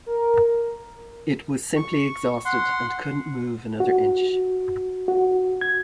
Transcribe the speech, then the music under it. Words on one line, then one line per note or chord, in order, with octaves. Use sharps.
It was simply exhausted and couldn't move another inch.
A#4
C#6
F#5 C6
F#4
F#4
G#6